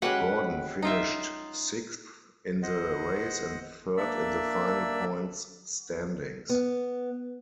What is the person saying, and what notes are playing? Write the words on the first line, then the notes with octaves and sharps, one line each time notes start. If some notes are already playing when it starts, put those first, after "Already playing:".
Gordon finished sixth in the race and third in the final points standings.
G#3 C#4 F#4 G4 B4 F#5
D#4 F4 E5
C5 D#5 F#5
A#3 D4 D5 E5 E6
B3